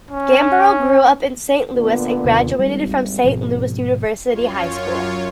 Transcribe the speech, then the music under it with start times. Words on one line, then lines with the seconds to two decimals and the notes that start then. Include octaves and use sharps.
Gambaro grew up in Saint Louis and graduated from Saint Louis University High School.
0.11 C#4
1.74 A#2 D3 B3
2.24 D#2 C3 D#3
2.59 G#1 G3
3.24 G#2 B2 F3
4.25 F#2 F4 C#5